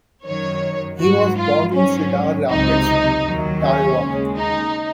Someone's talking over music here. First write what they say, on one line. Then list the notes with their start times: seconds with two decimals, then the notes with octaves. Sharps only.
He was born in Cedar Rapids, Iowa.
0.26 F#2 D#3 F#3 C#5
1.01 G#2 F#3 F#4
1.38 F4
1.75 G#2 F#3 C#4
2.50 C#2 C3 F#3 D#4
3.25 D#2 D#3 F#3
3.63 C#4
4.00 D#2 C#3 G#3
4.37 D#4